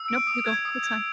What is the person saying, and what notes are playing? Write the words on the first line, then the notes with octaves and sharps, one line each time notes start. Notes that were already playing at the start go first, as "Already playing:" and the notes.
Nope, you go. That's fine.
Already playing: E6
D7
D#6
G#6
D#6
G#6